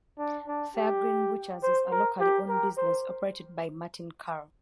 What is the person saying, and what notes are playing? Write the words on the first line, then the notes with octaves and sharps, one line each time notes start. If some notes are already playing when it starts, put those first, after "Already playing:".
Fairgreen butchers is a locally owned business operated by Martin Carroll.
D4
D4
G4
C5
A#4
G4
A#4
C5